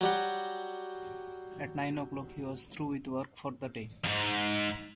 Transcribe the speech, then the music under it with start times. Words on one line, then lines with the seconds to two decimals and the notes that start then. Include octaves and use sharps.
At nine o'clock he was through with work for the day.
0.01 F#3 G3 F#4
4.04 F2 G#2